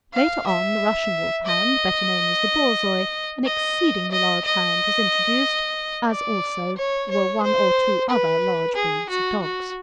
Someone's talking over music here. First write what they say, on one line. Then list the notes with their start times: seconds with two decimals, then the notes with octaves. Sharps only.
Later on the Russian Wolfhound, better known as the Borzoi, an exceedingly large hound, was introduced, as also were one or two other large breeds of dogs.
0.13 F5
0.46 E5
1.46 D#5
3.46 D#5
4.11 D#5
4.45 D#5
6.11 D5
6.76 C#5
7.11 C#5
7.43 C5
8.09 B4
8.75 G#4
9.10 F#4
9.42 F#4